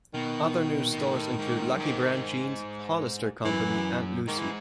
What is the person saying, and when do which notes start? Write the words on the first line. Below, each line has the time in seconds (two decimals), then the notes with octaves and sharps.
Other new stores include Lucky Brand Jeans, Hollister Company and Lucy.
0.14 B2 D#3
0.92 B2
0.97 A2
1.39 G#2
1.75 F#2
1.80 G#2
3.45 F#2 E3
4.27 G#2 D#3
4.39 E3